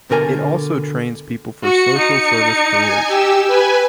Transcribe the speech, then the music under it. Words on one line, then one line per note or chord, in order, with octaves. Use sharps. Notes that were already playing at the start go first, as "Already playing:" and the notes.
It also trains people for social service careers.
B2 D3 A#4 G#5
F#4 C#7
D#4
G#5
G4 E6
B4 G#5